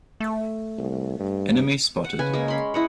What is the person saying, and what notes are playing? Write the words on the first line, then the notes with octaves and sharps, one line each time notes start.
Enemy spotted!
A3
C2
G2
F#5
C#3 B4 G#5
G#3 A#3
C#4 B5 C6
E4 D#5 F#5